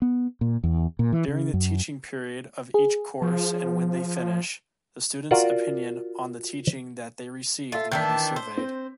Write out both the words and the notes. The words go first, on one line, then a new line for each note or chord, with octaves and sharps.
During the teaching period of each course and when they finish, the students’ opinion on the teaching that they received will be surveyed.
B3
A#2
E2
A#2
E3
C#3
F#2
G#4
F3
F4 F#4 A#4 D5 F#5
F4 A4 E5
D#3 E3 D4 G6 B6
C5
C4